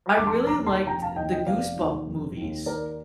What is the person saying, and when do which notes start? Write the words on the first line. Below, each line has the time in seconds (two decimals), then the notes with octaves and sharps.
I really liked the Goosebump movies.
0.18 D6
0.27 F1 A5 C6
0.47 A#5 D6
0.57 D#2 D#3
0.67 A5 C6
0.87 F1 G5 A#5
1.02 F5 A5
1.16 D#2 D#3 D#5 G5
1.32 D#5 G5
1.46 F1 D5 F5
1.77 D#2 D#3
2.06 F1
2.37 D#2 D#3
2.66 D#2 A#4 D5